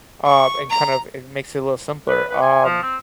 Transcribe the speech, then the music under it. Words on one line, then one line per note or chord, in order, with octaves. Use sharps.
um, and kind of it makes it a little simpler. Um,
C#6
A#5
B4
B4
G#5
F3
C4